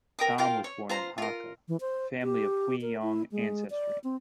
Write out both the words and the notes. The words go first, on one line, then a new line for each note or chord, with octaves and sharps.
Tam was born in a Hakka family of Huiyang ancestry.
A#4 G5 D#6
F4 A#4 F5 G5
C#5
F4 C5 A#5
F4 A#4
E3
C5
G4
A#4
E4
G#3
D5
C4